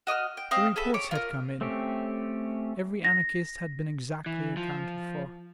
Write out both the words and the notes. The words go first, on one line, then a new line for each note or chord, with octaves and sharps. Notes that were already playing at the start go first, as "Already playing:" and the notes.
The reports had come in: every anarchist had been exactly accounted for.
F#4 D#5 D6 F6
G5
C4 D#5 F5
G#4 A4 B4 E5
C#5 D6
F4 A#4
A3 C4 C#4 G4
A#6
E3
F3